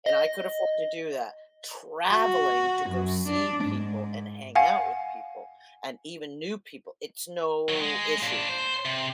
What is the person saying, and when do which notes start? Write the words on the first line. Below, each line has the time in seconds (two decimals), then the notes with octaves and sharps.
and I could afford to do that, traveling to go see people and hang out with people and even new people, it's no issue.
0.06 D#5
2.13 F#4
2.90 F#2
3.29 D4
3.65 G#2
4.55 F5 F#5 G#5
7.69 D#3 F#3
7.81 G#3
8.23 A#2 D4
8.49 C5
8.85 C3